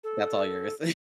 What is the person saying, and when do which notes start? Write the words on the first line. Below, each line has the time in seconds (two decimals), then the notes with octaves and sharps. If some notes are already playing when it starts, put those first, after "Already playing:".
That's all yours.
0.04 A4